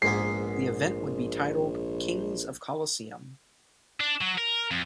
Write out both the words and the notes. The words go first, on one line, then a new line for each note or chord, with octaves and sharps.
The event would be titled "Kings of Colosseum".
A#1 G#2 A#3 B3 C7
D4
F#3
A#4
F2